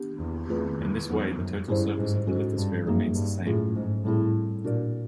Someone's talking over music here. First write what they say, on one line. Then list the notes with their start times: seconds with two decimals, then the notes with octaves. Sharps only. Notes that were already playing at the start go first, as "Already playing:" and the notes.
In this way, the total surface of the lithosphere remains the same.
Already playing: B3 D4 G4
0.20 E2
0.50 E2 A3 C4 F4 G#4 B4
0.79 E2
1.09 F2 G3 B3 D#4
1.39 F#2
1.68 G2 C#4 E4 G#4 C5
1.98 G#2
2.27 G#2 C#4 F#4 A4
2.57 G2
2.87 F#2 G3 A#3 D#4 G#4
3.16 G2
3.46 A2 F#3 A3 C#4 F4 G#4
3.75 G#2
4.05 A2 G3 C4 E4 G#4
4.64 A#2 D4 F#4 A#4 D5